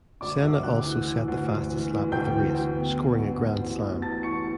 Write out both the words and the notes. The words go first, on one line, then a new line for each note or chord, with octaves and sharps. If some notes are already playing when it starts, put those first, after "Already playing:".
Senna also set the fastest lap of the race, scoring a Grand Slam.
D2 D5 D6
D2 E5 E6
D2 F#5 F#6
E3
E3
D2
D2
E3
E3
D2 G5 G6
E3
D2
B3
B3
A1
A1
E3
B3
E3 A5 A6
E3 C#6 C#7